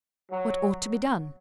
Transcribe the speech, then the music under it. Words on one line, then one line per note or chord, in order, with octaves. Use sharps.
What ought to be done?
F#3